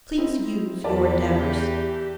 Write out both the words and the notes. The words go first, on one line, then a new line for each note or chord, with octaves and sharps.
Please use your endeavors.
C4 D#4 E4
E2 E3 G4 A#4 D5 A5